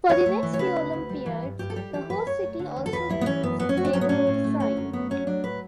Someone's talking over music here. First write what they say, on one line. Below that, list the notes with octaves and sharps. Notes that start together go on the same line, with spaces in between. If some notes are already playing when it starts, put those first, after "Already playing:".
For the next few Olympiads the host city also chose the medal design.
E2 C#5
A3
E3
C#5
C#3 B4
D2
D2
G3
E3
G2
G2 G4
A4
G3 G4
E3 G4
F#2 B4
F#2 C#5
A3
D3
E2
A4
E2 B4
G3 E4
B3
E3 C#4
F#2 B3
F#2 B3
C#4
A3 F#4
D4
F#3 C#4
B3
A2 C#4
A2
A3
D3 C#4
F#2
A3 B3
F#3 C#4
F#3 D4
A2 B4